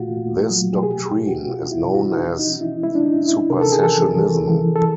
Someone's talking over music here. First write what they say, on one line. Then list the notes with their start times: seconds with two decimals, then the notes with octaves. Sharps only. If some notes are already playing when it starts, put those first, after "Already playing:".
This doctrine is known as Supersessionism.
Already playing: A#2 A3 F4 F#4
0.17 A#2
0.50 F#3
0.73 G4
0.83 B2 G#4
1.06 G4
1.16 B2
1.28 F#4
1.50 B2 F4
1.72 E4
1.83 B2
1.94 F#4
2.17 E3 D#4
2.39 D#4
2.50 C#4
2.61 E4
2.83 G#3 E4
2.95 D4
3.06 D#4
3.16 C#4
3.28 E4
3.50 C3 A#4
3.61 A4
3.72 G#4
3.83 E3 A4
4.17 E3
4.50 E3
4.76 A4